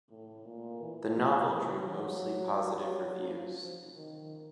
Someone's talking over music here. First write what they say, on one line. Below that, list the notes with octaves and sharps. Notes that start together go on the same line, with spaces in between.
The novel drew mostly positive reviews.
A2
A#2
E3
F3
E3
F#3
F#3
F3
D#3